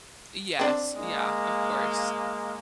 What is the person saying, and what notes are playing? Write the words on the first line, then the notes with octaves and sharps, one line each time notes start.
Yes. Yeah, of course.
C4 D4
G#3 A#3